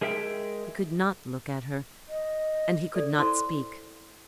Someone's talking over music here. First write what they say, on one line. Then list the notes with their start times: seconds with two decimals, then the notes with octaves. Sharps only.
He could not look at her, and he could not speak.
0.01 G#3 G#4 A#4 E5 G5
2.09 D#5
2.95 A4 D5
3.18 E4 A4 C5 C6